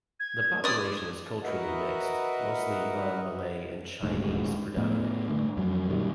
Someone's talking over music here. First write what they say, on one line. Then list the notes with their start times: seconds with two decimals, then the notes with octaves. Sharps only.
The population is culturally mixed, with mostly Iban, Malay and Chinese predominating.
0.20 G#6
0.64 D5 D#6
1.44 F#4 A#4 B4 D#5 E5 F#5
4.03 D#1 D2 G#2
4.77 A2 A3 B3
5.29 G2 D3 A3
5.57 F2 F#3
5.89 A#2 D#3 F#3 G3